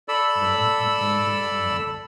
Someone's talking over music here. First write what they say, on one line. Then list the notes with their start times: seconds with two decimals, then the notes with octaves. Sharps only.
Then, he came to Lyon.
0.08 A4 D5 B5 E6